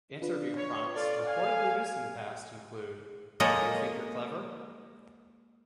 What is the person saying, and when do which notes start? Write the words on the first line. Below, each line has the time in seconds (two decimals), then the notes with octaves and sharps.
Interview prompts reportedly used in the past include Do you think you're clever?
0.22 D4 F4 B4
0.56 C#5
0.96 F4 A4 D5
1.26 F5 G#5
3.40 G#3 A#3 A4 C#5 D#5